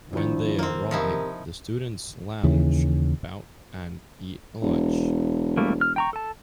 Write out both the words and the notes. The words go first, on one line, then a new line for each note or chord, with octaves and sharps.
When they arrive, the students lounge about and eat a lunch.
B1 D#3 F3 D4 E4
A#3 C4
C3 F3 D#4 E4 A#4
D#2 C#3 E3
E1
G3 A3 A#3
F6
G5 A#5 C#6
A4 A5